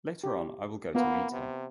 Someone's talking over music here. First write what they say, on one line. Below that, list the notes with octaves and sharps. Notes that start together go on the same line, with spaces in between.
Later on I will go to meet him.
G4
A#3 B3 F4
C3